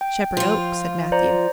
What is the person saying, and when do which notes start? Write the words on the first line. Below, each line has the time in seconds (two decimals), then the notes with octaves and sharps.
"Shepherd Oak," said Matthew.
0.01 G5
0.37 F3 F4
1.12 C5 D5 A#5